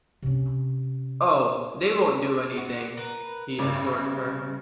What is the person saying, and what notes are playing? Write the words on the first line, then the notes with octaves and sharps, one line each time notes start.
"Oh, they won't do anything," he assured her.
C3 C#4
B3 F#4
A#4 B4
A1 C#3 G3 B4 E5